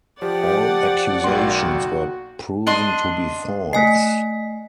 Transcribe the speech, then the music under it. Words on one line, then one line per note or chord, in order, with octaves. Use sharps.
All accusations were proven to be false.
F3 G4 D5 F#5
B1 A#3 F#4 G5 C6
D4 D#5 C6
A3 D#5 G#5 B6 C7